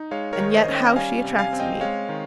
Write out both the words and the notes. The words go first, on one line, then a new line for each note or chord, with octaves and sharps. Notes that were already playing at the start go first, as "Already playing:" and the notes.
And yet how she attracted me!
Already playing: D#4
G#3 C#5 F5
A#4 C#5
D#3
C5 D#5
C#4
D#5 G5
G3 F5 G#5
C3
F5 G#5
C4
D#5 G5
G#3 C#5 F5
D#3